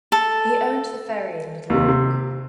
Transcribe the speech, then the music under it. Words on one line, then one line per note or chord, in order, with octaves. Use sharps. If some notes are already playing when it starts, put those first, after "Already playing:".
He owned the ferry in Little Rock.
A4
D#2 C3
C3